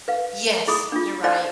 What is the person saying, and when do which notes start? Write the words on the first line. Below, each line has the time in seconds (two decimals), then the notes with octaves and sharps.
Yes, you're right.
0.08 B4 F5
0.68 E4 G#4 B5 D#6
0.92 D4 F4
1.24 E4 C5 D5 F5 G5